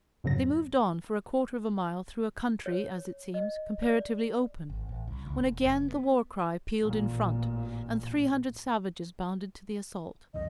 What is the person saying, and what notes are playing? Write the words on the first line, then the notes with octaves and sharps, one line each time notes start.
They moved on for a quarter of a mile through a country, as it seems, comparatively open, when again the war-cry pealed in front, and three hundred savages bounded to the assault.
F2 G#2 C#3 F#3 A#6
C#5
D#5
D5
G#1
A1
C2
C#2
E1
F#1
B3
A1 A#2
C2 F2 D#3 D#5